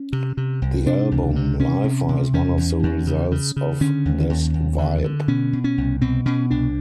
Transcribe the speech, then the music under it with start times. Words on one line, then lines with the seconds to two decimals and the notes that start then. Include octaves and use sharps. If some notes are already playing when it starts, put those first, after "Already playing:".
The album 'Lifer' is one of the results of this vibe.
Already playing: C#4
0.13 C3
0.37 C3
0.62 C2
0.86 C3 D4
1.11 C#2
1.36 C3
1.59 C3 C#4
1.84 C3
2.09 C3
2.33 E2 C#4
2.57 E2
2.83 E2
3.07 C#3
3.32 C#3
3.56 C#3
3.81 D3 C#4
4.05 D#2
4.30 D#2
4.54 D#2
4.78 D3
5.04 D3
5.28 B2 C#4
5.53 B2
5.64 C#4
5.78 C2
6.01 B2 C4
6.26 B2 C#4
6.51 C2 D4